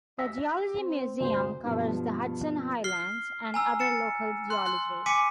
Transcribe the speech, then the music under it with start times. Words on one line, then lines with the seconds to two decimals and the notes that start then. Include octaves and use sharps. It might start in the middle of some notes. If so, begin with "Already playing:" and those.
The Geology Museum covers the Hudson Highlands and other local geology.
0.19 E6 A#6 B6
0.76 C4
1.20 D2 G2 C3 C5
1.65 G2 B2 F3
2.84 F6 C7 G7
3.54 G#5 A#5 E6
3.79 A6 C#7 E7
4.50 C6 F#6
4.65 C6 F#6
5.06 G#5 D6 B6 C#7 D#7